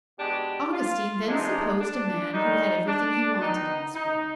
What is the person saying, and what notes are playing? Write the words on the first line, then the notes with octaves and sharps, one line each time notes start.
Augustine then supposed a man who had everything he wanted in this world.
B2 G#3 B3 D4 G4
F4
C3 F3 G#3 B3 D4 D#4
D4
D#3 G3 D4 D#4
D4
D#3 B3 D4 D#4
D#4